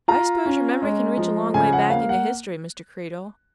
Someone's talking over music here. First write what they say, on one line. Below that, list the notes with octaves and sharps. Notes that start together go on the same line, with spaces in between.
"I s'pose your memory can reach a long way back into history, Mr. Creedle?"
F4 A#5
C#4
G#3
F3
C#3 G#5
F#5
A#3 F5
F#5